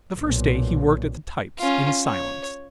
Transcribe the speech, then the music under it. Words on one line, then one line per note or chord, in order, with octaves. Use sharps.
The first day he worked at the types in silence.
B1 A#2
C#4 F4
C#5